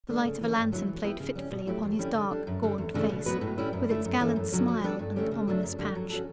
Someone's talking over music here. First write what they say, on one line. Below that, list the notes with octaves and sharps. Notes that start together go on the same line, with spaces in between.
The light of a lantern played fitfully upon his dark, gaunt face, with its gallant smile and ominous patch.
D3 A3 D4
C#3
E3 A3 C#4
G2
D3 F#3 A3 E4
E3
B3 E4 G4 B4
C#3
G3 C#4
B2
F#3 A3 E4 G4
E2
D3 G3 C#4 E4
D3
G3 D4
F#2
D3 G3
E2
C#3 E3 A3 D4
B2
F#3 B3 F#4 B4
A2
G3 C#4 E4
F#2
D3 A3 E4
F#2
E3 A3 C#4
F#2
D3 F#3 C#4
F#3
B3 D4 A4
G2
D3 A3 C#4 G4
C#3
F#3 A3 D4
F#2
D3 G3
F#3
C#4 F#4 A4